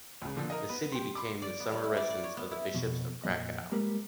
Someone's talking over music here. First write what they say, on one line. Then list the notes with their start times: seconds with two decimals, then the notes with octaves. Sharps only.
The city became the summer residence of the bishops of Krakow.
0.22 C#2 C#3
0.36 A#2 D3 F3
0.50 A#4 D#5
0.69 B3 B4
0.92 G4 C6
1.15 B5 C6 D6
1.42 D5
1.60 B3
1.72 G3
1.84 E4
1.97 D5
2.10 D5
2.24 C#5
2.37 B3
2.51 E4
2.74 F2 B2
3.24 F2 A#2 E3 G#3 D#5
3.72 G3 G#3 A#3 A#4 B4